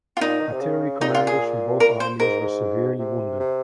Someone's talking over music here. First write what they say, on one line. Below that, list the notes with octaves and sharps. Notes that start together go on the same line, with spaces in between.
Artillery commanders from both armies were severely wounded.
F4
A#2 D#4
D#3
C3
C#3
A#2 D#4
F4
G#4
A#4
C5
G#2 A#4
G#2
C3
C3